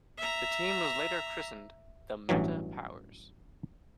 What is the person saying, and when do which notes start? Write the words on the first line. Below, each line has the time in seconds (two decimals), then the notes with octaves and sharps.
The team was later christened "The Meta Powers".
0.17 E5 A#5
2.29 A1 G2 E3 F#3